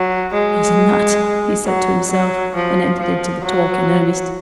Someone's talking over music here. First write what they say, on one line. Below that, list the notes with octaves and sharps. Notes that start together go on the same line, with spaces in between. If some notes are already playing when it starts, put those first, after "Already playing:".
"He's a nut!" he said to himself, and entered into the talk in earnest.
Already playing: F#3
G#3
F#3
F#3
F3
F3
F#3